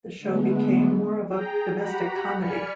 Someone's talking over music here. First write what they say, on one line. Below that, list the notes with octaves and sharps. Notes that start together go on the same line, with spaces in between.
The show became more of a domestic comedy.
D3 G#3 A3 B3
G#4 G5 A#5
F#4 G4 F#5 A#5 B5
D5 G#5 B5 F6 C#7